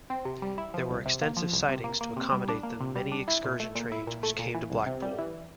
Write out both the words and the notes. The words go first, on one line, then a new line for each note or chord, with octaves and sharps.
There were extensive sidings to accommodate the many excursion trains which came to Blackpool.
C4
C3
G3
E4
F3
C2
C3
A#3
F3
C2
C3
A#3
A#3
C3
G3
D4
A#3
C3
G3
D4
E4
A#2
A3
A#2
E4
A#2
A3
A#2
E3
C2
C3
G3
E3